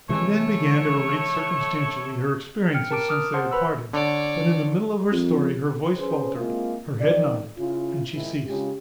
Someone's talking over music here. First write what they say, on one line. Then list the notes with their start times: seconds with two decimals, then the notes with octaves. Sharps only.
She then began to relate circumstantially her experiences since they had parted; but in the middle of her story her voice faltered, her head nodded, and she ceased.
0.09 C3 E3 G#3 A3 C#5
2.74 G5 F6 C#7
2.91 A#4 A5 D6 D7
3.09 D6 D#6 F6
3.34 C5 F#5 A5 C6
3.51 B4 B5 E6
3.93 D3 C#5 D5
5.11 F2
5.97 C#4 G#4 B4 C5
6.36 G#3 A#3 C4 E4 F4
7.01 D#3 F3 D5
7.58 C#3 E4 F4
8.13 G#2 D#3 E4
8.47 C#3 G#3 F4 G4